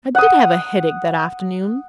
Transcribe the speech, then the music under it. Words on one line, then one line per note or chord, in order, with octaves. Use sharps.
I did have a headache that afternoon.
F#5 D#6